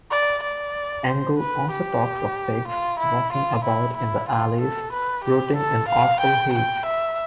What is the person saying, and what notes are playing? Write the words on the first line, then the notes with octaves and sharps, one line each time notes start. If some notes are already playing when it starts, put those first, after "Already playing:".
Engels also talks of "pigs walking about in the alleys, rooting in offal heaps".
D5
D5
C5
B4
G4
F4
E4
F4
E4
E4
F4
A4
B4
G4
A4
F5
G5
G5
E5